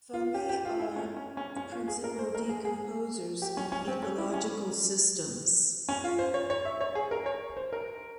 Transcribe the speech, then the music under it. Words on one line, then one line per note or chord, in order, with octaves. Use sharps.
Fungi are the principal decomposers in ecological systems.
F4
G4
G4
F4
E4
C#4
C#4
C#4
C#4
F4
G#4
A#4
C5
A#4
G#4
G#4
G4
C#4
C#4
C4
C#4
E4
C#4
C#4
F4
C5
C#5
C#5
E5
C#5
G#4
A#4
C#5
C5
A#4